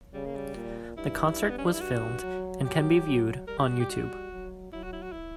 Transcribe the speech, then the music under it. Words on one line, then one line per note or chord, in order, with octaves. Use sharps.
The concert was filmed and can be viewed on YouTube.
C#3 G3
A#3
G3
A#2
G2 E4
B3
C#4
D4
E4
F#4
F#3
F#3 G4
F#3
G3 A#4
G4
F#4
G4
F#4
F#3
F#3 E4
F#4
E4
F#4
E4